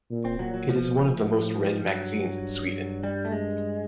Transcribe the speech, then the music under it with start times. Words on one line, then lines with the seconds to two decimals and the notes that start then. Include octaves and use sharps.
It is one of the most read magazines in Sweden.
0.10 A#2
0.25 C4
0.39 A#2 F#3
0.54 F#3
0.68 B2 F3
1.26 A2
1.57 G#2
1.86 G2 F#3
3.03 G3
3.25 A3
3.32 G#3